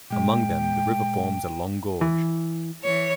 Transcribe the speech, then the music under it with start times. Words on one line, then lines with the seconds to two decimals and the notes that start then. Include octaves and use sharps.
Among them, the river forms a long gorge.
0.11 A#2 G#3 G5
2.01 E3
2.84 E3 C#5